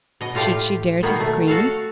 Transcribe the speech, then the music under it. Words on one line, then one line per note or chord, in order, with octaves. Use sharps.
Should she dare to scream?
B2 D#5
A2 F4 G4 F5
B2 D#3 A#3 B3
A3
F#4 A4 F5